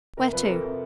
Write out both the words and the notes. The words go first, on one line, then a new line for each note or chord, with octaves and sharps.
"Where to?"
C3 A#4
F3 B4
A4
F2 A#4
C3